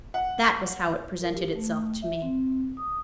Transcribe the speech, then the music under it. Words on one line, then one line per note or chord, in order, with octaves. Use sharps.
That was how it presented itself to me.
F#5
A#4
G4
A3
E5
C4
D#6